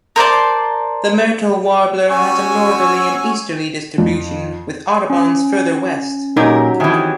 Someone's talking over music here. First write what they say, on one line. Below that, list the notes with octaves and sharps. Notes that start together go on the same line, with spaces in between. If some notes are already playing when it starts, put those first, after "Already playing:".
The myrtle warbler has a northerly and easterly distribution, with Audubon's further west.
A#4 C5 D5 A5
C#4 F#4 G#5 C#6 E6
F2
C#4
A#2 F#3 D#4 G4 A#4
C3 D#3 E3 G#4